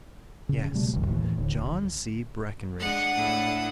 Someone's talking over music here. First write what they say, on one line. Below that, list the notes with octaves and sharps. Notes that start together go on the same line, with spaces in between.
"Yes, John C. Breckinridge."
C#3
B2 G3 A3
D#1 A1 F2 D#3
D#2 A2 E3
D1 D3
G#3 D4 F#5 D#6
A2 D4 E4